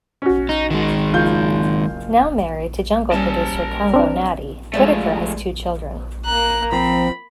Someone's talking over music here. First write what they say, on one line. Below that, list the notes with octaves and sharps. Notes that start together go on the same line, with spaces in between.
Now married to jungle producer Congo Natty, Whittaker has two children.
C#4 F#4
D#4
D#3 G#3
F#1 F4 G6
G3 A#3 C#4 A#4 A5
C4 D4
F3 G#3 A3 D5 E5
A#3 A#5 F#6
F3 C4 B5